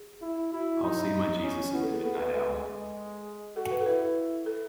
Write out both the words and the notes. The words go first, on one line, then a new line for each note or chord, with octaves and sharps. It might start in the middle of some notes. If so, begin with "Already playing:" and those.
I'll see my Jesus in the midnight hour.
Already playing: G#4
E4
E4 F#4
D#4
C#4
B3 E4
A4
G#4
B3 A4
B4
G#3 A4
G#3
F#4 A4
B4
A4
E4 B4
A4